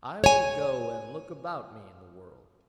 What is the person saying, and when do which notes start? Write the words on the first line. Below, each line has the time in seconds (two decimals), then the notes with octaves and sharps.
I will go and look about me in the world.'
0.24 C#5 G#5